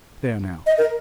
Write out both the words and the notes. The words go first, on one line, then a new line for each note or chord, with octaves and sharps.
There, now.
D#5
A#4